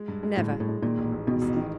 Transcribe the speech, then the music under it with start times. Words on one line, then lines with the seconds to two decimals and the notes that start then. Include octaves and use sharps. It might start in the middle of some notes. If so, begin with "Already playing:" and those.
"Never!" he said.
Already playing: G#3
0.08 G2
0.23 G#3
0.38 A2 G#3
0.53 G#3
0.60 A2
0.68 G#3
0.82 A#2 D#3
0.98 A1
1.12 A1
1.27 B2 D#3
1.42 A1
1.56 D#3